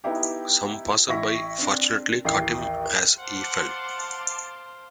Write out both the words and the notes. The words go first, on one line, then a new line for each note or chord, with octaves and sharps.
Some passersby fortunately caught him as he fell.
B3 D#4 E4 G4
A1 E4 C#6 A#6 B6
C4 D4
A1 D#2 G5 C7
C5 F5 F#5 A5 C6 D6